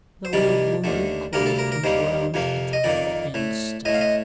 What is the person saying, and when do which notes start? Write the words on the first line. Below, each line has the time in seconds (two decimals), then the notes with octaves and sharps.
The old woman coughed and groaned at every instant.
0.25 C5
0.33 C2 C3 D#3 G3 D5
0.84 D#2 D3 A3
1.33 D2 C3 G3 A#3 A#4
1.46 A4
1.59 A#4
1.72 A#4
1.84 D#2 D#3 G3 A#3 C5
2.34 F2 C3 F3 A#3
2.73 D#5
2.84 F2 D#3 A#3 D5
3.34 A2 A3
3.85 A2 A3 D#5
3.94 F5
4.01 D#5